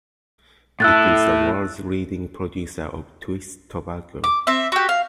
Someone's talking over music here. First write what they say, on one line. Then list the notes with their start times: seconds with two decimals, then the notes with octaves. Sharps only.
It is the world's leading producer of twist tobacco.
0.80 A2 E4 E6 F#6 A6
4.24 D6
4.47 C4 E5
4.72 F#4 G4
4.89 F5